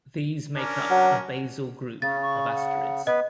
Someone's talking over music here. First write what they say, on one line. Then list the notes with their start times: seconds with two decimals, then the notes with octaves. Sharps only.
These make up a basal group of asterids.
0.57 C#4 D4 A#4
0.91 F#3
2.02 C#3 C#4 A6
2.21 C#6
2.54 F#5
3.07 B3 B4 D#5